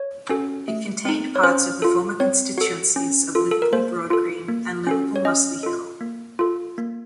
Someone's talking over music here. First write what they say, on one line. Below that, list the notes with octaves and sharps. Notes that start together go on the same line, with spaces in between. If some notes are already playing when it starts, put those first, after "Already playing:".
It contained parts of the former constituencies of Liverpool Broadgreen and Liverpool Mossley Hill.
Already playing: C#5
C#4 F#4 A4
A3
C4 D#4
C#5
C#4 C5
F4 A4
C4 C#5
F#4 A4
C#4
F4 A4
A4
A#4
A#3 C5
F4 A4
A#3
C#4 F#4 A4
C#5
C#4 D#5
F4 A4
A#3
F4 A4
A#3